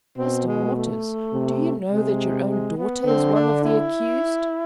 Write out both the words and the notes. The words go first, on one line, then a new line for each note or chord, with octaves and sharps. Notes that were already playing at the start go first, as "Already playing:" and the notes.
"Mr. Waters, do you know that your own daughter is one of the accused?"
B2 C4
G#3
A3
C3
C3 G#3
G#3
B3
D3 C4
D4
E4